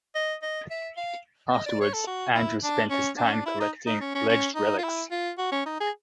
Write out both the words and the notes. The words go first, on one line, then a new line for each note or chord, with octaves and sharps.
Afterwards, Andrew spent his time collecting alleged relics.
D#5
D#5
E5
F5
D#5
D5
C#5
A4
F#4
E4
D4
C#4
D4
C#4
D4
E4
D#4
D#4
C#4
C#4
C#4
D#4
F4
E4
F4
F#4
C#4
D#4
G#4